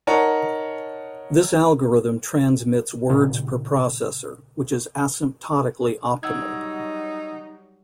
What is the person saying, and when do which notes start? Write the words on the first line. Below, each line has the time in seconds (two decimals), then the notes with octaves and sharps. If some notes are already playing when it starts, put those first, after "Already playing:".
This algorithm transmits words per processor, which is asymptotically optimal.
0.07 D#4 A#4 C#5 F#5 A5
3.10 A1 A#2 C#3
6.23 F#3 G3 D#4 F#5 E6 G#6